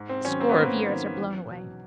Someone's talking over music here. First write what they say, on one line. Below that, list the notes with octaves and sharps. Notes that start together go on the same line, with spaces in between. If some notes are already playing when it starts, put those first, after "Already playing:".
A score of years are blown away.
Already playing: G#2
C4
D#3 F#3 C#4
C4
B3
G#2 A#3
D#3 F#3
E2
B2 F#3